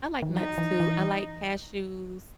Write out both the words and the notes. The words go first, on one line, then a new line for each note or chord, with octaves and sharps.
I like nuts, too. I like cashews
D#3
E3
F#3 D#4
E3
E3